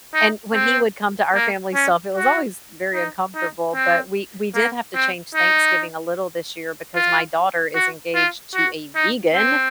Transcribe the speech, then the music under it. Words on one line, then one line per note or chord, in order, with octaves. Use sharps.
and when he would come to our family stuff, it was always very uncomfortable, but we we did have to change Thanksgiving a little this year because my daughter is engaged to a vegan
D#4
C4
A#3
C#4
F#4
D#4
D#4
C4
A#3
C4
D#4
F4
F#4
F4
F#4
D#4
C4